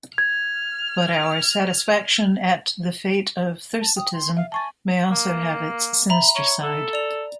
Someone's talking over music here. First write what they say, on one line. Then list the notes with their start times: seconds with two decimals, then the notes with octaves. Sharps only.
But our satisfaction at the fate of Thersitism may also have its sinister side.
0.18 F6 G#6
3.81 A5
3.97 G5 D#6
4.14 C6
4.37 E5 F5
4.52 G#5 A5 C#6 A6
5.11 A#3
6.09 E5 A#5 B5
6.36 C#5
6.63 A4
6.93 D5 F7